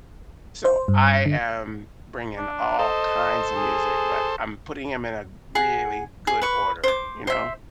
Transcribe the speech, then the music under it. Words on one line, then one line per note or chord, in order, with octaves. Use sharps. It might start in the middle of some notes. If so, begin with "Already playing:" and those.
So I am bringing all kinds of music, but I'm putting 'em in a really good order, you know?
C5
G2
D3
D4
A4 C5 D#5
G#4
G#4 F#5
G#4
B4 C#6
C5 D6
C5 E5